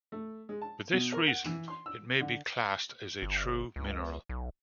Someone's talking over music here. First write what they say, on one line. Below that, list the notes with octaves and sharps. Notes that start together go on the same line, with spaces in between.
For this reason, it may be classed as a true mineral.
A3
G#3
A5
B2
A#4
F#5
E3
C6
E6
D3
G1
C#2
B1